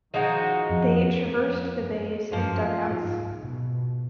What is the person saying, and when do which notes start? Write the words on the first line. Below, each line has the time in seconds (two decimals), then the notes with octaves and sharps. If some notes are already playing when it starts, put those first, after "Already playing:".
They traversed the bays in dugouts.
0.13 D#3 F3 G#3 D#4 F#4
0.68 F2
1.23 F2
1.78 F#2
2.32 F#2 F3 A#3 F4
2.87 G#2
3.42 B2